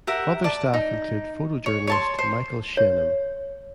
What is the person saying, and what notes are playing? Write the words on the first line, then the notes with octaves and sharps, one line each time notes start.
Other staff include photojournalist Michael Schennum.
G4 A#4 E5 F#5
D5 A5
D#4
C#5
C#5 A5 C6
C5
C#5